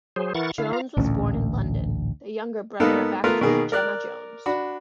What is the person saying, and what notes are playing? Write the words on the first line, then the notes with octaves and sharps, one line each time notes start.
Jones was born in London, the younger brother of actress Gemma Jones.
F#3 G#4 C5
E3 E4 A#4 F#5 C#6 A6
D3 E4 F5
F4 F5 A#5
A1 D2 A#2 C#4
G#2 A#3 B3 D#4 A4 F5
A3 B3 F4 A#4 B4
B2 D#3 A#3 G#4
A#4 D5 F#6
D4 F#4 B5